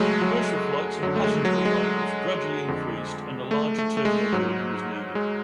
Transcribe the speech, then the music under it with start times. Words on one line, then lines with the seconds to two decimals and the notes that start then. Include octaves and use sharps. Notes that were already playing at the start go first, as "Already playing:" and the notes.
Commercial flights and passenger arrivals gradually increased and a larger terminal building was needed.
Already playing: F#2 C#3 F#3 G#3 A3
0.21 F#3
1.03 F#2 D3 F#3
1.16 A3
1.24 G#3
1.45 F#3
1.65 G#3
2.68 F2 D3
3.51 A3
3.78 A3
3.97 A3
4.05 G#3
4.33 G#2 F#3
5.15 G#3